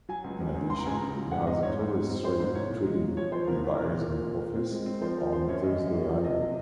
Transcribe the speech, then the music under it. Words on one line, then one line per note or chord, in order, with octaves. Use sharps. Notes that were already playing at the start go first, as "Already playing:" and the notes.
In addition, it has a Torres Strait Treaty Liaison Office on Thursday Island.
F#3 G#5
C#2
C#2
C#2
C#3 C6
A#5
C#2 G#5
A#5
C#3
F#3
G#2 F#5
C4 D#5
G#2 C#5
G#2
G#2
C4
G#2 C5
G#2 C5
C2 C#5
A#2
G#3
A#2
F3 C#5
F3 C5
C2 A#4
C2
A#2 A#4
A#2
A#2
A#2
A#2
C4
G#3
C4
F3 C5
F3 A#4
F#2 C5
F#2 C#5
F#2 D#5
F#2
A#3
F3
C3 D#5
F#3